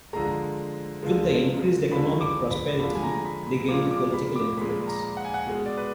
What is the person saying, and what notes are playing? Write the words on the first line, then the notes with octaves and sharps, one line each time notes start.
With their increased economic prosperity they gained political influence.
D3 F3 G#3 A#5
D3 F3 G#3
D3 F3 G#3 B5
D6
B5
D3 F3 G#3 B5
G#5
A#5
B5
B5
A#2 F3 G#3 D6
D6
B5
D6
A#2 F3 G#3 B5
A#5
F#5
G#5
F#5
B2 G#3
D5
B4